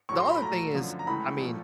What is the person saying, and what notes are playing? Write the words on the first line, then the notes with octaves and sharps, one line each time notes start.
the other thing is, I mean
A2 F#3 A3 C#6
C6
B5
A#2 F#3 A3 A#5
F#2 D3 F3
A#5
C#2 C#3 E3 A3 B5
A#2 F3 A3